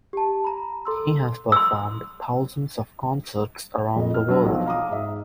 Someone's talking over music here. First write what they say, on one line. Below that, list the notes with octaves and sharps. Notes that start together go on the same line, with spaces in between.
He has performed thousands of concerts around the world.
G4 A5
A#5 B5
A4 C6 E6
C6 E6
F2 A3 D#5
F6
F#3 D4 E6
B1 F3
F5 A#5 D6 D#6
G#2 E5